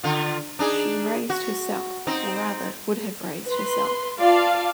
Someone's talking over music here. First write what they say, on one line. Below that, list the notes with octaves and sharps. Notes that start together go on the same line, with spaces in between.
She raised herself, or rather would have raised herself.
D3 F4
D4 D#4 G#4
F#4
C4 D#4
B4 C6
F4 D5 F5 A5